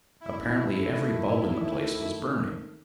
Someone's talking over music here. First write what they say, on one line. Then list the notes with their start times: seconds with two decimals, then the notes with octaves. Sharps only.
Apparently every bulb in the place was burning.
0.21 E4
0.77 D#3 A3